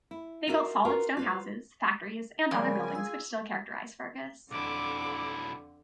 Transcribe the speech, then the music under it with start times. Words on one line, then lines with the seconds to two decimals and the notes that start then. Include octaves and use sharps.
They built solid stone houses, factories and other buildings which still characterize Fergus.
0.11 E4
0.47 F4 F#4 A#4 D5 E5
0.85 F4 F#4 A#4 B4
1.17 F4 B4 C5
2.51 F2 C#3 G3 A#4 D5 G#5
2.95 F4 G#4 E6
4.51 B1 F2 D3 E4 D6